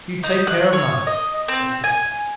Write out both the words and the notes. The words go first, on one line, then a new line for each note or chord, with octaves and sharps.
"You take care of Mother." I kissed her.
D#4
F#6
C#5
D#5
C4
G#5